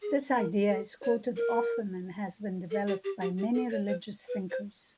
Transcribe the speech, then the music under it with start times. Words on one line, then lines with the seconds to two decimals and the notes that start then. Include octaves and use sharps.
This idea is quoted often and has been developed by many religious thinkers.
0.02 G#4
0.36 A#4
0.69 A4
1.03 C#5
1.36 A#4
2.71 A4
2.88 G4
3.04 G4
3.21 G4
3.38 G4
3.55 A4
3.72 C#5
3.88 C5
4.28 B4
4.50 C5